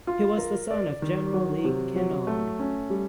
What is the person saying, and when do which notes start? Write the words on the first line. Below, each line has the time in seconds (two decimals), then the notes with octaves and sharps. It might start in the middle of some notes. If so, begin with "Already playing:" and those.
He was the son of General Li Kenong.
0.07 F4
0.38 A#4
0.71 D5
1.02 D#3
1.33 F#3
1.65 C3
1.96 F#3
2.27 A3
2.59 C#4
2.90 G3